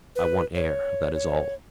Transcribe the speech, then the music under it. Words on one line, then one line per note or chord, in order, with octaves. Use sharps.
"I want air, that is all."
B4
C#5
C#5